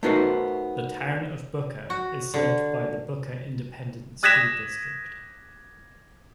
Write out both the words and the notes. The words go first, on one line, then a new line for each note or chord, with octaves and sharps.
The Town of Booker is served by the Booker Independent School District.
A3 B3 D#4 F#4 A#4 C5
F#4
D3
D#6 F#6 G#6 A#6 B6 E7